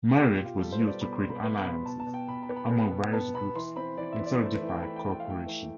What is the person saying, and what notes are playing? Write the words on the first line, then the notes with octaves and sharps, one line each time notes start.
Marriage was used to create alliances among various groups and solidify cooperation.
B2 G4
F4
B2
F4
G3 A4
C5
B3
D5
B2 B5
C6
B2
B5
B3 B5
B2 B5
B2 A5
A5
B2
G5
B2 B5
B5
B3
B5
B3
B2
B3 A5
B2 B5
E3 C6
C4 B5
E3 D5
E5
E3
D5
A3 C5
B4
E3
G5
E3 B5
G5
E3
G5
F5
A3 G5
E3